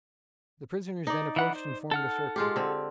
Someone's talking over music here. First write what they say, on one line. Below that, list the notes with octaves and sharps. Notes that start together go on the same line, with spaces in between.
The prisoners then approached and formed a circle.
D#4 D5
E3 F#5 B5
C5
A4 F#5 F6
G#3 F4 G4
D3 C4